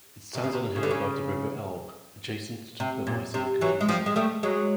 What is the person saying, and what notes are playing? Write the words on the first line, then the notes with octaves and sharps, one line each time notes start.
It stands on a hill above the river Elbe, adjacent to the Meissen Cathedral.
C3
C#3
C3
C#3
D3
C#3
C3
A#2
C3
E3 F#3
G#3
F3 G3
G#3
G3 A3
F#3 G#3